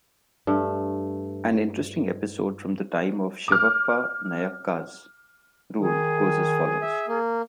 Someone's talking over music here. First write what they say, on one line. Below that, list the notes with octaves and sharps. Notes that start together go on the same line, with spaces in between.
An interesting episode from the time of Shivappa Nayaka's rule goes as follows.
G2 A3
D6 F6
D#3 G#4
E5
A#3